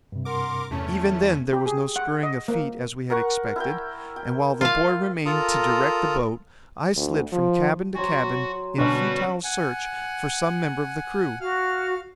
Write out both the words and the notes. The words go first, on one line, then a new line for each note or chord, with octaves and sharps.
Even then there was no scurrying of feet as we had expected, and while the boy remained to direct the boat I slid from cabin to cabin in futile search for some member of the crew.
G2 C3
A#4 F#5 C6 D6
E2 A3 C#4 A5
G4
G#4
F#5
D#5
A#3
A#4 F#5 C#6
E4 A#4 G5
G5
F4 F5
F4 A4 A#4 A#5 D#6
D2
F3
F#3 F#4 C5 G#5
B2 D3 G3 C#4 F#4 B4 F#5 A5
F#5 G#5
F#4 F5 F6